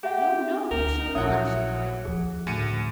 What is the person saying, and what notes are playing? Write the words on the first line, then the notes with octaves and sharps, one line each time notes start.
"No, no; you shall not!" she cried.
G4 G#4 E5 F#5
D2 A#4
A#1 F#3 E4 E5 F#5 D#6
D#2 F3 G#4
D2 A2 C#3 C#7 D#7